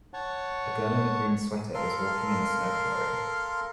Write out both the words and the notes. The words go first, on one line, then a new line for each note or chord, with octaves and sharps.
A girl in a green sweater is walking in a snow flurry.
C#5 F#5 A5 C#6
A4 A#4 F5 C6